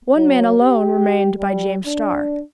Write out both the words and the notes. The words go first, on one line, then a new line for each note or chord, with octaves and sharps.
One man alone remained by James Starr.
F#3
G4
G3
D4